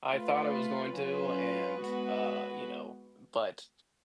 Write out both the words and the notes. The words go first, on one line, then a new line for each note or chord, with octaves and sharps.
I thought I was going to and, uh, you know but
A3 F4 B4
F#3 C#4 F4 B4
G#3 B3 F#4 B4